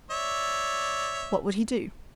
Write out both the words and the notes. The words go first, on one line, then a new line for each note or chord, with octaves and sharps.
What would he do?
C#5 D5 E5